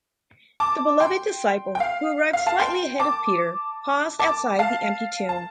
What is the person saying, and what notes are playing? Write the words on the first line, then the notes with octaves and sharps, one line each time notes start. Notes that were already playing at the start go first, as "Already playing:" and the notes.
The Beloved Disciple, who arrived slightly ahead of Peter, paused outside the empty tomb.
A5 D6
G5 C6
G5
F5
F5
F5 A5
G5 C6
A5 D6
A5 D6
F5 A5
A5